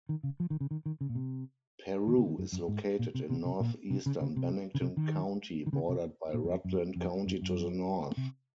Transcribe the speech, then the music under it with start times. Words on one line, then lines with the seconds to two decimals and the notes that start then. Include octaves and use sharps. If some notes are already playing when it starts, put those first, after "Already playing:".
Peru is located in northeastern Bennington County, bordered by Rutland County to the north.
0.09 D#3
0.23 C#3
0.40 F3
0.50 D#3
0.61 C#3
0.71 D#3
0.86 D#3
1.01 C#3
1.09 A#2
1.15 C3
2.07 D#3
2.18 C#3
2.27 D#3
2.38 F#2
2.52 F#2
2.68 G#2
2.99 A#2
3.15 C3
3.30 C3
3.45 C3
3.60 A#2
3.90 C3
4.06 C#3
4.21 C#3
4.36 C3
4.75 C#3
4.81 C3
4.97 D#3
5.66 D#3
5.73 C#3
5.89 C3
6.34 A#2
6.44 F#2
6.49 F2
6.65 F#2
6.96 F2
7.26 F#2
7.42 F#2
8.17 C3